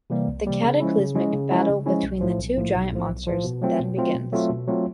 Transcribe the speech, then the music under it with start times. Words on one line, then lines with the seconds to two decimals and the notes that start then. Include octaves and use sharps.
The cataclysmic battle between the two giant monsters then begins.
0.10 C3 E3 G3 A#3
0.28 C2
0.45 C3 E3 G3 A#3
0.63 C#3
0.80 F3 G#3 C#4 E4
0.97 C#3
1.15 F3 G#3 C#4 E4
1.33 C#3
1.51 F3 G#3 C#4 E4
1.68 C#3
1.86 F3 G#3 C#4 E4
2.03 B1
2.21 A2 F3
2.38 B1
2.57 A2 F3
2.74 B1
2.92 A2 F3
3.09 B1
3.27 A2 F3
3.44 B2
3.62 F#3 A3 C4 F4
3.80 B2
3.97 F#3 A3 C4 F4
4.14 B2
4.32 F#3 A3 C4 F4
4.49 B2
4.67 F#3 A3 C4 F4